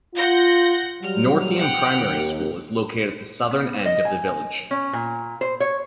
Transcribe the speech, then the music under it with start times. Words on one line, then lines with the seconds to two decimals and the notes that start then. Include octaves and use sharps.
Northiam Primary school is located at the southern end of the village.
0.15 F4 F#5 G6 A#6
1.02 F#3 G3 F6
1.56 F#5 G5 F6
1.99 D#2
3.51 B3
3.86 D#5
4.05 G#5
4.71 C#4
4.93 A#2
5.41 C5
5.60 C#5